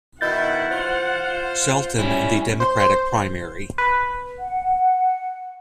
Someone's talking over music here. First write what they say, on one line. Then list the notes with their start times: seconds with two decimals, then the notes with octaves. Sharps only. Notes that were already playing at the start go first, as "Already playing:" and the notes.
Shelton in the Democratic primary.
0.21 B2 D#3 E4 D#5 F#5 G6 A6
0.71 F4 C5 A6
1.99 G3 C#4 E4
2.60 C5
2.80 C5
3.78 B4
4.39 F#5